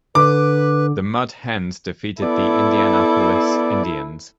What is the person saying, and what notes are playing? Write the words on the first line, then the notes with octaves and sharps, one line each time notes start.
The Mud Hens defeated the Indianapolis Indians.
D3 B4 D6
B3 E4 A4 D5